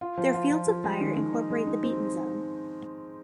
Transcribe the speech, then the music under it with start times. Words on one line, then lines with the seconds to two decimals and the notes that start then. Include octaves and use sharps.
Their fields of fire incorporate the beaten zone.
0.01 F4
0.17 F3
0.34 F4
0.50 F3
0.67 F3
0.84 G#3
1.01 D#3
1.17 D#3
1.33 D#4
1.50 G#3
1.67 D#4
1.83 C4